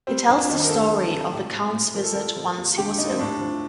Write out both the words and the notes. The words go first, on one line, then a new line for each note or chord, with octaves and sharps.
He tells the story of the Count's visit once he was ill.
G3 C4
F2 D4
D#3 D#4
A#4
D2 A4
D2
A4
C3
A2 G4
A2
A2
F3 A#4
A4
F3 A#4
F3
D#2
D3 G4
D#2 D#4
C4
A2 D4
F3